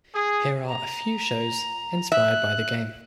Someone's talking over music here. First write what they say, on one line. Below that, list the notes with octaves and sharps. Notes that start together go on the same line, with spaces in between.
Here are a few shows inspired by the game.
G#4
A#5
E5 F#6